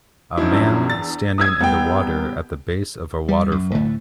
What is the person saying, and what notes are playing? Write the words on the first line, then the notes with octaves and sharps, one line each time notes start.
A man standing in the water at the base of a waterfall.
F#2 F3 D#4 E4
E2 D4 E6
A6
D#6 E6 G#6
C2 B3 G5
G3
F#2
D2 A2 D3 A3